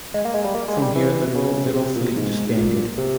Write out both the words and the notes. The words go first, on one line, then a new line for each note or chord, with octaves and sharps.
From here the little fleet disbanded.
G#3
A#3
G#3
G3
A#3
G#3
G3
E3
C#3
C3
A#2
G#2
A#2
C3